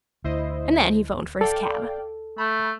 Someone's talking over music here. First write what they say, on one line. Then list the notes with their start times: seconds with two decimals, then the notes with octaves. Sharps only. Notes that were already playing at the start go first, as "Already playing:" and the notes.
And then he 'phoned for his cab.
0.24 D2 E4 C5 D#5
1.41 A4 D5 F5 G5
2.38 A3 B5